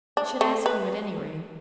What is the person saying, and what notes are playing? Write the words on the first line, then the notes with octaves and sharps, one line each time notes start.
I should ask you at any rate.
D4
A3
B4